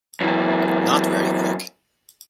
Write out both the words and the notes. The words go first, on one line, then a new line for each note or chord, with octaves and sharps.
Not very quick.
F#2 E3